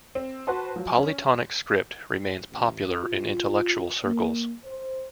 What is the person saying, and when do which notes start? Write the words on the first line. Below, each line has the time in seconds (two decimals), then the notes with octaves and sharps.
Polytonic script remains popular in intellectual circles.
0.15 C4
0.47 F#4 B4 C5 F#5 A5 C6
0.76 F3 F#3
0.98 C#4
2.50 A1
2.90 F4
4.04 A#3
4.64 C5